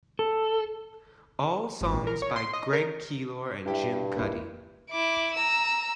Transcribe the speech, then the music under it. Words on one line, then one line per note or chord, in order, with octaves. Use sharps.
All songs by Greg Keelor and Jim Cuddy.
A4
G#1
A#1
A#4
C#5
C6
D#5
A#4
G2 E4 G4 E5
A#3 E4 F4
E4 D6
A#5 E6